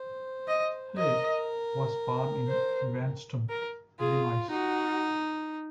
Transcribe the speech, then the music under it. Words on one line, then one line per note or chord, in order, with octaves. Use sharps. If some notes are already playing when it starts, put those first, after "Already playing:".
Hale was born in Evanston, Illinois.
Already playing: C5
D#5
A#4 D#5
C5
A#4
F4 G#4
D#4 F#4